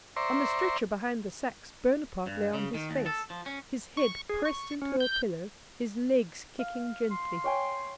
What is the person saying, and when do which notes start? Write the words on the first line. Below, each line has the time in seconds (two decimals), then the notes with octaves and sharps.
On the stretcher behind the sacks Bonaparte lay on his face, his head pressed into a pillow, his legs kicking gently.
0.16 C5 D5 E5 A#5 C6 C#6
2.27 G2
2.53 C#3
2.74 D#3
2.90 D#2
3.06 A4
3.30 F3
3.46 C#4
3.97 C#6
4.29 G#4
4.45 C#6
4.82 C#4
5.00 G6
6.59 F5
7.11 C6
7.44 C#5 G5 G#5